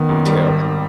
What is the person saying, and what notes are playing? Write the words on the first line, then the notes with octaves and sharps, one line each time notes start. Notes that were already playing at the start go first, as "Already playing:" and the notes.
You too.
Already playing: D#3 B3
F#2
G3
G#1
G#1